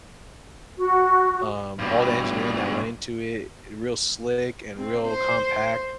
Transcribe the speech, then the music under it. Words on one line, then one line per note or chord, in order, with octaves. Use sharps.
um, all the engineering that went into it, i real slick and real compact.
F#4
G2 B2
C4
C5